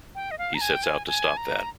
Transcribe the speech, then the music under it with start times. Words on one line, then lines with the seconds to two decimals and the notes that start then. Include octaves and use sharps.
He sets out to stop that.
0.15 G5
0.31 D#5
0.38 F5
0.54 A#5
0.61 G#5
0.73 G5
0.83 G#5
1.07 G#5
1.37 A#5